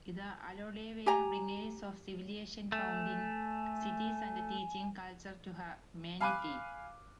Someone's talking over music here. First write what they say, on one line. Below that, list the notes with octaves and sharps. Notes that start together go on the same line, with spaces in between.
The Aloadae were bringers of civilization, founding cities and teaching culture to humanity.
G4 G#5 A#5
A3 G#5
F5 G#5 B5 D6 F#6 D#7